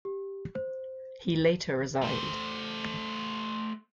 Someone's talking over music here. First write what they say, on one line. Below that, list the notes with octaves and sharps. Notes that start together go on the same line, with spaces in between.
He later resigned.
G4
C5
A3 C5